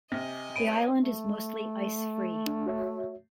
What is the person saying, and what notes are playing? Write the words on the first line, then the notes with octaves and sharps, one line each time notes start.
The island is mostly ice free.
C3 D#5 G#5 F6 A#6
B4 C#5 B5 D7 D#7
A3
D4
F#4 C#5 E5